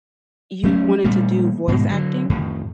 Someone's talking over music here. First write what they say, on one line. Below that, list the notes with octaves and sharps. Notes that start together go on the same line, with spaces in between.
you wanted to do voice acting?
F#3 A3 B3 C#4
A#2 G3 A3
G#2 B2 D#3 G#3
D3 F#3
F2 A2 D#3